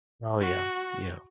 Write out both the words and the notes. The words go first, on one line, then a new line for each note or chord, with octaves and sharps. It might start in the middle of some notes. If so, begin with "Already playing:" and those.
Oh, yeah. Yeah.
F#4